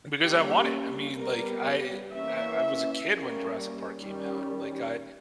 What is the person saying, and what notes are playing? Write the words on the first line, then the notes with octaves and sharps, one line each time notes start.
Because I want it, I mean, like, I I I was a kid when Jurassic Park came out, like I
G3 A#3 C#4 G4
G3 B3 A#4
E3 A#3 C#4 E5
G3 A#3 C#4
D#3 G3 C#4